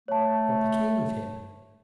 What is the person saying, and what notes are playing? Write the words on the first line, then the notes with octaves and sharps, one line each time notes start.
What became of him?
A3 C#5 A5